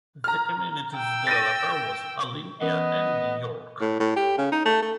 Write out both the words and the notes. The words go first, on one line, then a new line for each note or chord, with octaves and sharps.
The community's developer was Olympia and York.
A#5 F6
G5 E6
A6 A#6 D#7
E3 B3 C#4 A#4 D#5
A2
A2
G4
C#3
D#4
A3
A3